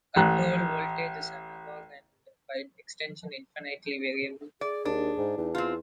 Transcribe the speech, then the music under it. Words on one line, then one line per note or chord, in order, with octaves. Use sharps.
Control voltage is analog and by extension infinitely variable.
A1 F#6
G#4 D5
D#2 D4
G#2
E2 D#4
C4 E4 F4